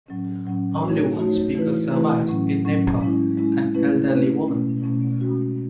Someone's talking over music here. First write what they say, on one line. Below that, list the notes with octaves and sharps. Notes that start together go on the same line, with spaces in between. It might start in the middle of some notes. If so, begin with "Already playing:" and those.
Only one speaker survives in Nepal, an elderly woman.
A2 F#3 C#4
A2 F#3 C#4
A3 D#4 F#4 C#5
A3 D#4 F#4 C#5
E3 A3 E4 B4
E3 A3 E4 B4
A2 F#3 C#4
A2 F#3 C#4
G#3 C#4 E4
G#3 C#4 E4
A3 C#4 E4 B4
A3 C#4 E4 B4
B2 A3 C#4
B2 A3 C#4
G#3 C#4 F#4